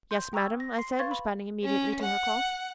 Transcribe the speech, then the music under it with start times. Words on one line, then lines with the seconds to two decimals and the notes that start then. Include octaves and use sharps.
"Yes, madam," I said, responding immediately to her call.
0.11 C6 G6
0.33 G5 A#5 C#6 E6 G#6
0.60 A#6
0.78 C6 C7
0.99 B4 F5 C6 C#6 G#6 A6
1.11 B5
1.64 C#4
2.02 F#5